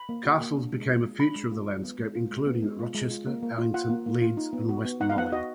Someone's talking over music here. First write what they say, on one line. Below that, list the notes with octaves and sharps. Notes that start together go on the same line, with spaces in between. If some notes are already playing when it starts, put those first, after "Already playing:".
Castles became a feature of the landscape, including Rochester, Allington, Leeds, and West Malling.
Already playing: B5
A#3
F#4
A#3
D4
G#3
F4
G#3
D4 B5
G#3
F4
G#3
B3
G#3
F4
G#3
B3
G#3
F4
G#3
F4
A#3
A#3
F4
F4 F#5
A#3
A#3
F4
D#4
B3
F#4
B3
D#4 F#5
F5
B3 F#5
F#4 D#5